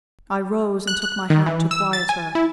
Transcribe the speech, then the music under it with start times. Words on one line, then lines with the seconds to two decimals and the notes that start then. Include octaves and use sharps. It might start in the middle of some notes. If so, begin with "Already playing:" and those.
I rose and took my hat to quiet her.
0.87 F#6
1.02 F#6
1.30 D#3
1.46 E3
1.71 E6
1.93 A6
2.09 G#5
2.35 E4